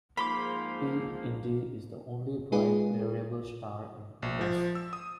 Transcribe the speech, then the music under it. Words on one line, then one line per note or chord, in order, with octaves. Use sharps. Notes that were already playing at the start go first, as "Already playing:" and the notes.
T Indi is the only bright variable star in Indus.
G#2 F3 A#3 A#4 B5 C6 D6
G#3 D#4 F4 G#4 B4
A#1
F3
E6
D#6